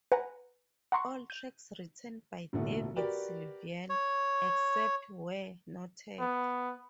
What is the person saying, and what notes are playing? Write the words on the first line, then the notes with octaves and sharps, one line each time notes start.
All tracks written by David Sylvian, except where noted.
B4 F#5 G#5 A#5
F#5 A#5 C6 C#6
G6 D#7
E1 A1 A#2 D3 A3 D4
F#4 G4 A#4 B4 D5
C#5
B3